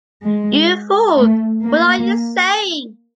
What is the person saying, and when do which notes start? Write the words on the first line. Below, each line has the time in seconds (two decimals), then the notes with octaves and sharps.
You fool! What are you saying?
0.24 G#3
1.16 A3
1.63 A#3